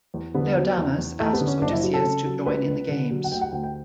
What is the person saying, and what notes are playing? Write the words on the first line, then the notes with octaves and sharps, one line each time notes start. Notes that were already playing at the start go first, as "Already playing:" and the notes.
Laodamas asks Odysseus to join in the games.
E2
D3 B3
F#3
E2
E2
E2 A3
B3
D3
C#4
F#1 D4
E4
F#3
A4
C#3
F#3
C#2 B4
C#2
D3
F#3
F#5
D2 G5
F#5
D2 G5
G5